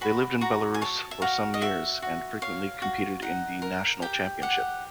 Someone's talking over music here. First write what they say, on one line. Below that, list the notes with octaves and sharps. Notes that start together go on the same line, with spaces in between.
They lived in Belarus for some years and frequently competed in the national championship.
F#4 B5
F#4 A#5
G#5
C#5 A5
E5
F#4 F5
D#5
F#4 E5
F#4
C#5 F5
F#4
D#4 F#5
A#4
G4 G5
G4 F#5